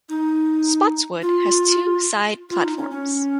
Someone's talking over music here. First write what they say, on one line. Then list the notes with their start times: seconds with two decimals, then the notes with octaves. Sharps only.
Spotswood has two side platforms.
0.09 D#4
1.22 F4
2.50 F4
2.63 D#4
2.77 C#4
2.91 C#4